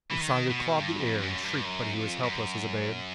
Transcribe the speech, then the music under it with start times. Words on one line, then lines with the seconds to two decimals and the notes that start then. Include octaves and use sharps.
Usanga clawed the air and shrieked but he was helpless as a babe.
0.10 E3
0.21 D#3
0.50 B2
0.78 G2
1.00 F2
1.22 F#2
1.44 G2
1.65 F#2
1.94 F2
2.23 F#2